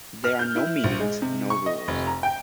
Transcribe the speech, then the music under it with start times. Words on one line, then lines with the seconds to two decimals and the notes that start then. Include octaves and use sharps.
There are no meetings, no rules.
0.24 F6
0.39 G6
0.56 E4
0.84 A#1
1.00 G#3
1.22 C3
1.50 C#6
1.66 D#5
1.88 F1
2.07 A#5
2.23 G5